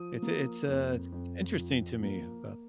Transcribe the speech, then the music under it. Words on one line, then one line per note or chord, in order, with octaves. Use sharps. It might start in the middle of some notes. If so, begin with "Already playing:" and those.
It's a it's a s interesting to me, but
Already playing: F3 D#6
A#3
F2
F2
F3
A#3